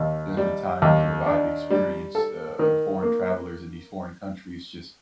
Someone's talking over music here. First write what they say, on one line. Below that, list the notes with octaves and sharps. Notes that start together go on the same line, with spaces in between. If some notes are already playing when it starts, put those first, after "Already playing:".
There's been times where I've experienced, uh, foreign travelers in these foreign countries just
Already playing: D#2
G3
D#2
D4
G3
A4
D#3
A#3